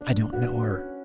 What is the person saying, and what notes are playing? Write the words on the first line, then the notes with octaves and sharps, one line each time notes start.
I don't know her!'
D4
F#4 B4
C#4